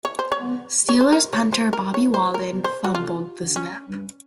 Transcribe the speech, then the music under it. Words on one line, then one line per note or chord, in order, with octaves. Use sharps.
Steelers punter Bobby Walden fumbled the snap.
C#5
C5
C#5
C#5
C5
A#4
C#5
C5
A#4
C#5
C5
A#4
C5
F#4
F4
C#4